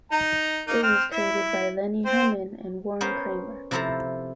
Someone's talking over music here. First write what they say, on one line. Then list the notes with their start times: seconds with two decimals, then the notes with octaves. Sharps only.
It was created by Lennie Herman and Warren Kremer.
0.12 D#4 A#5
0.68 A#3 D#4
0.83 C4 F6
1.12 E4
2.06 C4 C5
3.01 B3 C#4 A#4 C5
3.71 C3 F3 E4 A4 C5 A#5